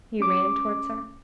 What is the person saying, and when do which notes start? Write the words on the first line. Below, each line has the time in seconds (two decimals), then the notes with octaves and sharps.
He ran towards her.
0.20 C#4 D6